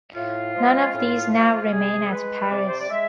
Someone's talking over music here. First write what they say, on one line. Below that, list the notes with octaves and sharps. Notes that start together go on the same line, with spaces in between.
None of these now remain at Paris.
A2 F4
F3 G#3
A2
F3 G#3
F4
C3 G#4
A4
G#3 B4
C3 D5
C5
D5
G#3 E5